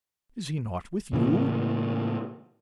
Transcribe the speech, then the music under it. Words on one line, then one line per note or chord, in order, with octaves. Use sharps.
"Is he not with you?"
A2 C#3 E3 A#3